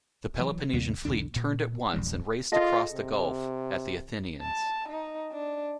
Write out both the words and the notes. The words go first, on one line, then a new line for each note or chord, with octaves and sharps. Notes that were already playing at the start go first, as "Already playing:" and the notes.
The Peloponnesian fleet turned at once and raced across the gulf at the Athenians.
E3 F#3
D#2 C3 G3 A#3
B1 E2 D3 D4
A#2
A#1 E2 G3
F4 G#4 A4 D#5
C3
A5
D#4
D4